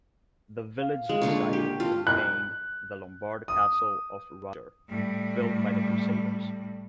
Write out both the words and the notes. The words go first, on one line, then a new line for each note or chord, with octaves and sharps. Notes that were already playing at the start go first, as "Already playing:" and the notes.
The village site contained the Lombard Castle of Roger, built by the Crusaders.
F5
G#3
A#2 D3 F4 C#5
F#4 G4
F4 A4
F#6
D#6
A2 G3